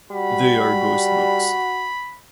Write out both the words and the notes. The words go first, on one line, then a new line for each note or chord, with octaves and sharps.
They are ghost books.
G3 F#4 B5